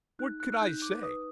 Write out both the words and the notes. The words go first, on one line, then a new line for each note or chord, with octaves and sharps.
What could I say?
D#4 F#6
F#6
F#6
D#4 G6
D6
B4 D#6